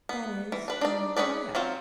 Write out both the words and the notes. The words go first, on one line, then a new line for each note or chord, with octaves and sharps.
That is, no colour.
B3
E3
D4 B4
D4 D#4 D5
C#4 D4 G#4 B4 D5
F#3 C4 F4